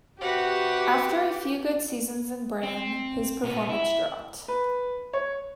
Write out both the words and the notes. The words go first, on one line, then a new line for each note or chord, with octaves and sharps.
After a few good seasons in Brann, his performance dropped.
C3 F#4 G4 B4 F#5
C4
A#2 B3
E4
B4
C#5